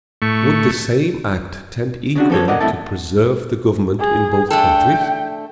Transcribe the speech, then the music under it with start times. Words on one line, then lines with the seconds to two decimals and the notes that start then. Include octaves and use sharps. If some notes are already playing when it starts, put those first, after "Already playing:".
Would the same act tend equally to preserve the government in both countries?
0.22 A2 A3 C#6
2.16 C#3 D4 F#4
2.30 F3 B3 A4 C5 C#5
2.48 A#4 D5 D#5 F#5
2.61 B1 C3 A3 E4 A4 A5
4.00 G#4
4.50 A3 D4 A4 G5